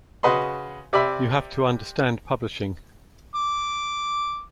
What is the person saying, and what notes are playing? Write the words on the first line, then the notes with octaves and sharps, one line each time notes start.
You have to understand publishing.
C#3 F#4 B4 D#5 C6
C3 D5 E5 B5
D6